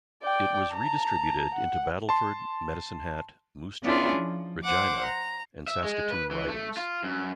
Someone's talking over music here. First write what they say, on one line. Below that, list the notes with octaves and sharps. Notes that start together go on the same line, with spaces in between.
It was redistributed into Battleford, Medicine Hat, Moose Jaw, Regina and Saskatoon ridings.
D5 G5
A5 A#5
F#5
A5 C6
B3 C#4 D4 E4 F4 G#4
F3
C5 F#5 D6
A#5
E5
G#3
B4
E3
A3
F4
F#2